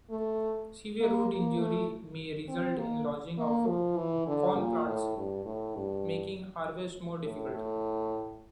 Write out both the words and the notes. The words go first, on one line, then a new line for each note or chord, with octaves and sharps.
Severe root injury may result in lodging of corn plants, making harvest more difficult.
A3
A#3
A#3
A3
C4
A#3
A#3
F3
E3
D3
A#2
A2
G2
A2
G2
A2
A2